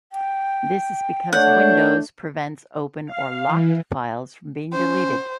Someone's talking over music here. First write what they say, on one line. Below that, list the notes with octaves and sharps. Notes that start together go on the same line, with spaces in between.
This is because windows prevents open or "locked" files from being deleted.
G5
A3 D4 C#5 F#5 G6
F5
E3
C#4 C5